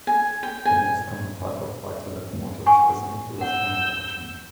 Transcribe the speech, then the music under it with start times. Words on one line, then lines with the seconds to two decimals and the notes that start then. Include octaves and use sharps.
The most common type of buy-to-let mortgage is an interest only option.
0.07 G#5
0.43 G5
0.65 G#5
2.66 F#5 G#5 C#6
3.41 F#5 E6 G6